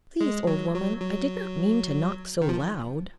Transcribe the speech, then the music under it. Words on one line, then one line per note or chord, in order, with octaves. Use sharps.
"Please, old woman, I did not mean to knock so loud."
G#3
F#3
F#3
F#3
D#3
F3